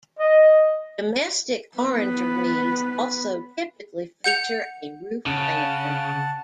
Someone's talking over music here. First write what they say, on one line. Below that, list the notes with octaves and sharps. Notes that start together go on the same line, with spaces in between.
Domestic orangeries also typically feature a roof lantern.
D#5
B3 B4
F#5 G6 C#7 F7
C#3 F#5 A5